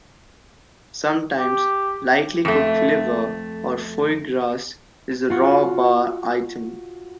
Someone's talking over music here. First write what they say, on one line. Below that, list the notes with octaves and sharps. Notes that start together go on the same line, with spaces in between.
Sometimes lightly cooked liver or foie gras is a raw bar item.
G4
F2 A3
F4 F#4